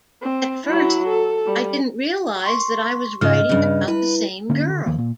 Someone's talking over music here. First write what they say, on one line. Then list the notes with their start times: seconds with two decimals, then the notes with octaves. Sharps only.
At first I didn't realize that I was writing about the same girl.
0.22 C4
0.67 F#3 E4
1.07 A4
1.46 G3
2.44 C6 C#6
3.21 G#2 C#3 F4 D#5 F6
3.49 G2 C#3
3.88 E4 B4
4.49 D3 A#3 C#4
4.69 D3
4.86 D#2 D#3 F3 A#3
4.98 A#2